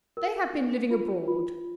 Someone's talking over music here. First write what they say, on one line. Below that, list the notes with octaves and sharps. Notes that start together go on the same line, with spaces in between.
'They have been living abroad.
A#4
D4
F4
F4